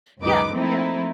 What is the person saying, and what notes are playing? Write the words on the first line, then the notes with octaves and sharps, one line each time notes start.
Yeah, yeah.
C#2 F#2 D#3 D#4 B4 D6
F3 A3 A#3 C4 D#4 E4